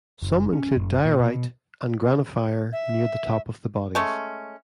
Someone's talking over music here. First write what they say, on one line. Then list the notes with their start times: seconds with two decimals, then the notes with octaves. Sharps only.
Some include diorite and granophyre near the top of the bodies.
0.22 F#1
0.53 C#4
0.76 F#1
1.05 A#2
1.20 B2
2.73 E5
3.95 G#3 A3 C#4